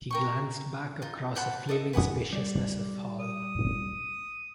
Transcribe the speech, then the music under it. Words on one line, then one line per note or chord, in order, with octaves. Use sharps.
He glanced back across a flaming spaciousness of hall.
A#4 G5 C#6
D#4 F4
C5 F#5 A5 B5
A4 D#5 E5
B4 F#5 G#5 D#6
G3 D5
D#6